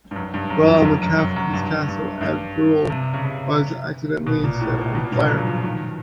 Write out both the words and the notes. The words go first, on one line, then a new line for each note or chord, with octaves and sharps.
While on the Calf his castle at Barrule was accidentally set on fire.
G2
F#2
G2
F#2
F2
G2
F#2
F#2
F#2
F#2
G2
G2
G2
C3
C#3
C3
B2
A#2
A2
A#2
B2
A#2
G2
C#3
F#3
F3
D#3